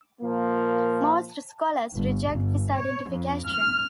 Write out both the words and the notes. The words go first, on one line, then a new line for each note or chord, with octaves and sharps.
Most scholars reject this identification.
A#2 F3 A#3
G1
G1
C#5
F2
F6